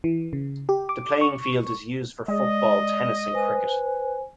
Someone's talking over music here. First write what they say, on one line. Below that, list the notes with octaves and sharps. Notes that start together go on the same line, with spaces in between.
The playing field is used for football, tennis and cricket.
E3
C#3
G4
D6
C#6
G#3 D5 D#5
B4 C5 G#5